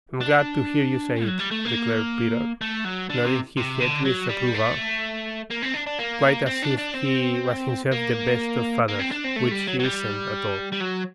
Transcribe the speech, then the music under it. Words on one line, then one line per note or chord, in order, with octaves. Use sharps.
"I'm glad to hear you say it," declared Peter, nodding his head with approval quite as if he was himself the best of fathers, which he isn't at all.
D4
F#3
G3
A3
A#3
A3
F#3
D3
C3
C3
D3
F#3
G3
A3
A#3
C4
D4
D4
A#3
C4
D4
D4
C4
A#3
A#3
C4
D4
C4
A3
G3
F#3
F#3
G3
G3
F#3